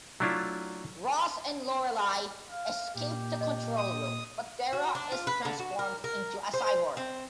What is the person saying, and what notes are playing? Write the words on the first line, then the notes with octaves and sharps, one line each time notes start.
Ross and Lorelei escape the control room, but Vera is transformed into a cyborg.
F#3 A3 D4 E4 F4
F5
A#2 G4
D#5
D#6
F#4
D4
F4
B4
D3
F#4
A#4
A#4
C5
C4